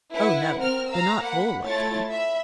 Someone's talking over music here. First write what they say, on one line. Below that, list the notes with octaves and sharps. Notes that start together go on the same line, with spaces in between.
"Oh no; they're not all like him."
E4 B4 F#5
C4 A#4 F6
F5 A#5 E6
A#3 F#5 B5
A3 E4 F4 C#5 A6
E5 B5